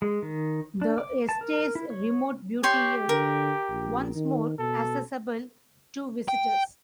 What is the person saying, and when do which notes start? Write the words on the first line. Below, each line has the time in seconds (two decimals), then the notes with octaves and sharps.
The estate's remote beauty is once more accessible to visitors.
0.02 G#3
0.22 D#3
0.82 D4
0.98 D6
1.29 A5
1.41 A#4
1.75 E4
1.90 C#5
2.63 G4 C#5 G5 C6
3.09 D3 A#4
3.69 A#1
4.15 D#3
4.59 B2 A4
6.29 G5